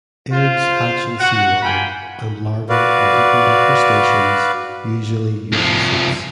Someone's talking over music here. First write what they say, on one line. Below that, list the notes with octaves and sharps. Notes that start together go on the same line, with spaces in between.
Eggs hatch in seawater, and larvae are eaten by crustaceans, usually euphausids.
F4 C5
F#4 F#5
A#3 F4 G5 G#5 B5
F#4 B4 D5 F5
C2 F3